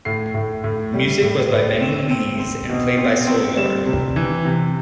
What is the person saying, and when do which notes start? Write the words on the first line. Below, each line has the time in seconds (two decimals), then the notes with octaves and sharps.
Music was by Benni Lees, and played by Soulyard.
0.05 A2 C7
0.34 A2
0.64 A2
0.94 G3
1.22 A2
1.53 A2
1.81 C4 E7
2.11 C4
2.40 C4
2.69 B2
2.98 C4
3.27 C4
3.57 G3 E7
3.86 C3
4.16 E3
4.45 C3